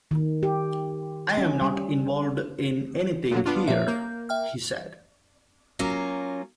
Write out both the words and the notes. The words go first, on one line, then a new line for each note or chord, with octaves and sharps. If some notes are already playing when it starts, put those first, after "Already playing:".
"I am not involved in anything here," he said.
D#3
G4
C#4
G3
A#2 D3 F#3
B3 D4 F4
A#2 F3 C#5 E5
A#3 G6
E5 G5 F6
F#3 A#3 C#4 F4